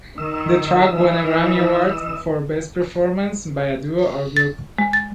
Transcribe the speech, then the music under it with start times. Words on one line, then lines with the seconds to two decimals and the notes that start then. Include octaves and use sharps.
The track won a Grammy Award for 'Best Performance by a Duo or Group'.
0.18 D#3 D#5 E6
0.96 E3
4.37 A6
4.78 G#3
4.93 A6